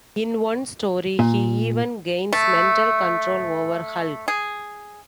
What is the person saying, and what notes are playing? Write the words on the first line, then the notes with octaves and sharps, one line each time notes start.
In one story, he even gains mental control over Hulk.
A#2
A3
G#4